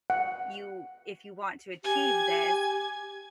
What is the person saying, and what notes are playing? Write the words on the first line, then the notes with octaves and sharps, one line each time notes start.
you if you want to achieve this,
F#5
G4 G#5 G#6